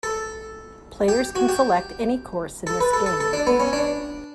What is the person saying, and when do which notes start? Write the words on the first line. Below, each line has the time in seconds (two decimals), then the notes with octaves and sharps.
Players can select any course in this game.
0.03 A4
1.08 G4
1.36 F#4
1.49 G4
2.67 A4
2.80 B4
2.93 A4
3.06 A4
3.20 A4
3.33 D4
3.47 B3
3.60 C#4
3.73 D4